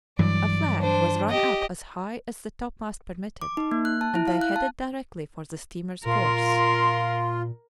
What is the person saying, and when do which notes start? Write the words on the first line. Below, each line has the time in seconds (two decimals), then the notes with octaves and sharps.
A flag was run up as high as the topmast permitted, and they headed directly for the steamer's course.
0.19 G2 E3 F#3 D5
0.79 D4 C5
1.30 G4 D#5
3.41 D6
3.57 D#4
3.71 A#3
3.85 F#6
4.01 A5
4.15 E4
4.28 F5
4.41 F#6
4.56 A5
6.06 A#2 F4 A#4 C6